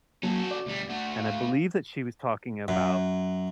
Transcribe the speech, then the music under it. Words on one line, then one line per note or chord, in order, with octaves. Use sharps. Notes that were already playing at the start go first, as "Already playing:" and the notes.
and I believe that she was talking about
F#3 A#3 C#4 F#4 A4
D5
D2 G3
D2 A3 F#5
F5
F#2